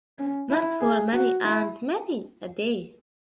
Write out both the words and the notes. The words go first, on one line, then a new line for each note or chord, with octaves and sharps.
Not for many and many a day.
C#4
E4
G#4
F#4
E4